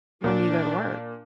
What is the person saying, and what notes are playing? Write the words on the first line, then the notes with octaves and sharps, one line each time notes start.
when you go to work,
A#2 D4